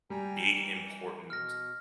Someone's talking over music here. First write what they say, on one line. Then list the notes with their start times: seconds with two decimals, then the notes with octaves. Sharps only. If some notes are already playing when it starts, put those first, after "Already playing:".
big important
0.10 G3 G5 G#5 A#5
0.53 E3
1.30 B2 F6 A#6